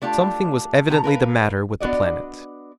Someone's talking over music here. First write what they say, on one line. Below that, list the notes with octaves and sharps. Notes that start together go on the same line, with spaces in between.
Something was evidently the matter with the planet.
A3 D4 F4 G4
C3 B3 G#4 A5 A#5
A#4 B4 F5
B3 D4 F#4 D5 D#5